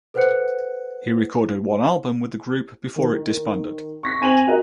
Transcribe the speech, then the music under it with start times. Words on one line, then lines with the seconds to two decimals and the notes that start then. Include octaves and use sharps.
He recorded one album with the group before it disbanded.
0.14 A4 B4 C5 F#5 F#6 C#7
2.96 D#3
4.03 C#6 A#6 B6
4.21 C4 G#5 D#7 F7 F#7
4.47 F#4 A#4 D#5